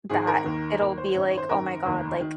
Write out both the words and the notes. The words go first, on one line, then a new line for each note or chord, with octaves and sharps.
That it'll be like, "Oh my god," like,
G#1 G#2 D#3 G#4
A#4
D#2 D#3
D#2 D#3 A#4
C5
G#1 F#2 D#3 C#5
C#5
C5
G#1 F#2 D#3 A#4
F1 D#2 D#3
D#3